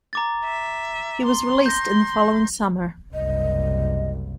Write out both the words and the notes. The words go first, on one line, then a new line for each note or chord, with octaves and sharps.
He was released in the following summer.
A#5 D6 A6
E5
C6
G6 A#6
F#1 C2 D#5